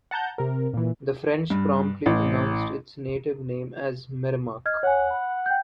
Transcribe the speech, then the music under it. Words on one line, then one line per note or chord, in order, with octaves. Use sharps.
The French promptly pronounced its native name as "Merremack".
F#5 A5 A#5 G6
C3 A#4
A#2 E3
G2
A1
D#5 F6 G#6
C#5 F#5 G#5
B5
G5 G6